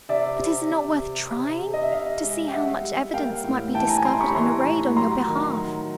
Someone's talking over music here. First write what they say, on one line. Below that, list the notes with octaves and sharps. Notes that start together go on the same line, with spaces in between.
'But is it not worth trying, to see how much evidence might be discovered and arrayed on your behalf?
C3 D5 E5
C3
C3
C3
C3
C3
D#5
E5
C3 D#5 F5
G#3
G5
G3 E5 F#5
G3
A#3 F5 G5
A2
E3 G5 A5
G#5 A#5
G3 A#5 C6
B5 C#6
E3 A#5 C6
A2
F#3 A#5 C6
D#3
F#3